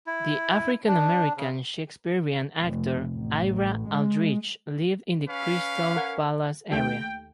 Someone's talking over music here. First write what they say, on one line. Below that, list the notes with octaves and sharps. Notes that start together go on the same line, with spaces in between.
The African-American Shakespearian Actor Ira Aldridge lived in the Crystal Palace area.
E4
D4
C#3
F1
A1
G#3
C#4 B4 F5
A#4 F#5 G#6
D#2 A3 G4 G5